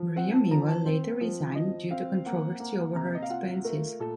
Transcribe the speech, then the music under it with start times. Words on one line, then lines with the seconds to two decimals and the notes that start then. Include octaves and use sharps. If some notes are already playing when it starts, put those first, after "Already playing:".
Maria Miller later resigned due to controversy over her expenses.
Already playing: F3
0.16 C4 F#5
0.34 A5
0.51 F3 A#5
0.68 A5
0.85 C4 C5
1.21 F3
1.55 F3 D#5
1.91 C4 F5
2.25 A#3 F#5
2.60 A#3
2.95 C3 A#5
3.15 D#5
3.22 F5
3.30 F4 F#5
3.64 A3 A#4
4.00 A#2 A4